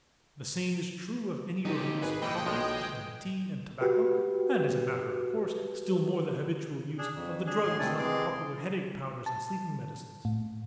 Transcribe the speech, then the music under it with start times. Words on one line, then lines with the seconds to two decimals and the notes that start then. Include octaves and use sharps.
The same is true of any overuse of coffee and tea and tobacco, and as a matter of course still more the habitual use of the drugs like the popular headache powders and sleeping medicines.
1.65 D#2 C3 F#3 G#3 D#4 G4 D#5
2.02 G#1 G#4 B4
2.22 A#2 D#3 E3 G3 D#5 G5
2.46 B1 F3 G#3 D4
3.81 F#4 G4 B4
6.98 D4 G#4
7.15 F2
7.47 D4 G#4
7.63 A2 G#4 C6
7.79 D2 C3 D#3 A3 D5 G#5
7.98 C3 E3 G#3 G#4 C6 D6
9.26 A5
10.25 A2